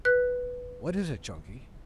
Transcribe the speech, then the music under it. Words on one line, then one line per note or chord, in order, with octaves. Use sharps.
"What is it, Chunky?"
B4 F#6